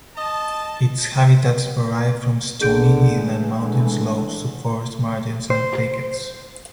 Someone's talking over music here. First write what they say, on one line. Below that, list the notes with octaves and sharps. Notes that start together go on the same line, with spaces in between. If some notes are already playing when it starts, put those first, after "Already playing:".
Its habitats vary from stony hill and mountain slopes to forest margins and thickets.
D#5 A5
A#1 D3 B3 G#4 G6 D7
E3 G#3
D3
C5